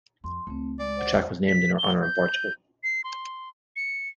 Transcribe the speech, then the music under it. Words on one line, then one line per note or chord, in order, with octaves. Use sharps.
A track was named in her honour in Portugal.
F2 C6
C#2 A3 C4
G#3 D5
C5 F#5
E2 G#3
B6
G7
G6
C7
C6
C#7